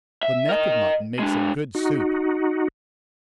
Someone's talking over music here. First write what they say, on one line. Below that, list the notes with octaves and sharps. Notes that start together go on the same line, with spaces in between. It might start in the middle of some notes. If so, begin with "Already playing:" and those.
The neck of mutton makes a good soup.
E5
A#4 D#5
G#3 D4
D#4 F#4